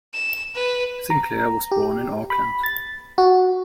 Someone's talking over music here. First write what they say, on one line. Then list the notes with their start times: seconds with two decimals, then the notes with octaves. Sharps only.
Sinclair was born in Auckland.
0.14 E7
0.55 B4
1.10 A#5
1.71 G4
2.30 B5
2.63 A6
3.18 F#4